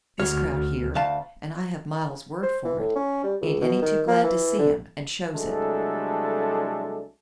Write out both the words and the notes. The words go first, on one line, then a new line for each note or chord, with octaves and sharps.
This crowd here--and I have Miles' word for it--ain't any too glad to see him, and shows it.
D2 F#4 C#5 F6
D2 F5 A5
C5
E3
A2
C#4
G3
C#2
B2
D#3
A#3
E3
D3
C2 F#3 G#3 A3 D4 A4